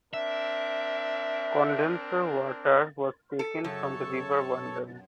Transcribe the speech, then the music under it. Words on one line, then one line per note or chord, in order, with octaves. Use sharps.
Condenser water was taken from the River Wandle.
C4 D4 A#4 E5
A4
F#2 C#3 A4 C#5 A5
B2